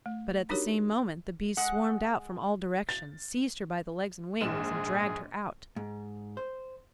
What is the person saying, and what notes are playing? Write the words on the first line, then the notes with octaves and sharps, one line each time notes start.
But at the same moment the Bees swarmed out from all directions, seized her by the legs and wings, and dragged her out.
A3
D4 D#4 F#4 G4 A#4 C#5
G#3 F#5
A6
A#1 G#2 G#4 E7
G#2
C5